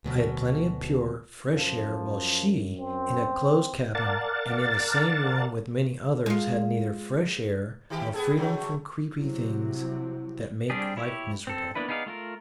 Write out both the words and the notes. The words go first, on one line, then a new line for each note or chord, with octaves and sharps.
I had plenty of pure, fresh air, while she, in a closed cabin and in the same room with many others, had neither fresh air nor freedom from creeping things that make life miserable.
D2 B2 F#3
F#2 F3
C4
A#4 D5 F5 F#5 A5 A6
G#3 F4
D#3 E3 G4
B3 G#4 A4
C#3 F#3 A3
C3 F#3 E4
G3 C4 D4 G4 G#4
E4 G4 C#5
C4 A4
A#3 B3 D4 E4 B4
B3 D#4 G#4 D5 F5
A3 F4 A#4